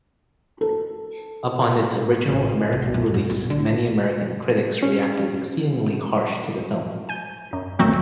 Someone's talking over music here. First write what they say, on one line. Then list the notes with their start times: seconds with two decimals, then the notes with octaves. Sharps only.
Upon its original American release many American critics reacted exceedingly harsh to the film.
0.61 A4
2.29 A1
2.72 C2
2.94 F#2
3.14 G#2
3.30 B1
3.50 D3
4.83 C#4
7.09 G#5 G6
7.53 F#2
7.79 D2 A#2 D#3 F#3 A3 C4